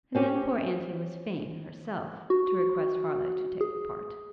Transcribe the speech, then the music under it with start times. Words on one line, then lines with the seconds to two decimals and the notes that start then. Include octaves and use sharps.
And then poor aunty was fain, herself, to request Harleigh to take the part.
0.15 C4 C#4 G4
2.30 F#4
3.61 G#4